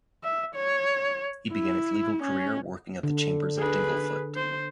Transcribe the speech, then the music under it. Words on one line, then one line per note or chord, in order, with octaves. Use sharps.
He began his legal career working at the chambers of Dingle Foot.
E5
C#5
E4
C#4
D3
G#4 B4
C5